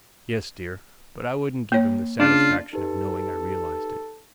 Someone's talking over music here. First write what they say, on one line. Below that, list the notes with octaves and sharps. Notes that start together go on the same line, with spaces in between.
"Yes, dear; but I wouldn't give him the satisfaction of knowing I realized it."
A#3 C#5
C#3 D4 F4
D#4 G4 A4 B4